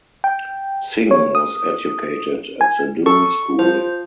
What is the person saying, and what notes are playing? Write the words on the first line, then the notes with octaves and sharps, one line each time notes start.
Singh was educated at The Doon School.
G5
C#5
D#6
G#5
A4 C#6
F3 C5